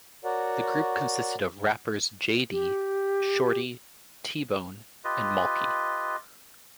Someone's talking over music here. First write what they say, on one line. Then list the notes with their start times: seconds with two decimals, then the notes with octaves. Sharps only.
The group consisted of rappers J-Dee, Shorty, T-Bone and Maulkie.
0.24 F#4 A#4 C#5 D5 F#5
2.51 G4
5.04 F4 G4 B4 D#5